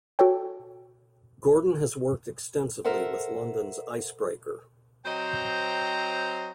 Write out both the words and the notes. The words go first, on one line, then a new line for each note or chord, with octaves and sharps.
Gordon has worked extensively with London's Icebreaker.
F#4 A4 C#5 G5
A4 A#4 C5 E5 F#5
F#3 C4 C5 D#5 G5 A#5